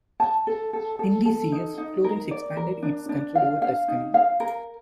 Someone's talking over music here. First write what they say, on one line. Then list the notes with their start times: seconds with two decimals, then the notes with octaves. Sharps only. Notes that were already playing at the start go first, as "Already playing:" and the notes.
In these years Florence expanded its control over Tuscany.
0.20 A5
0.47 A4
0.73 A4
0.99 A4
1.25 A4
1.52 D#4
1.78 D#4
2.04 A#4
2.31 D5
2.57 A#4
2.83 D4
3.09 D4
3.35 F5
3.62 F5
3.88 D#4
4.14 F5
4.40 A#4